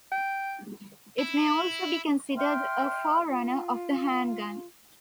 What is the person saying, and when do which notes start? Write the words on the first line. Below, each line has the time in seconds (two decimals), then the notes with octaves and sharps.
It may also be considered a forerunner of the handgun.
0.12 G5
1.19 E4
2.37 E5 G5 C6 F6
3.29 F4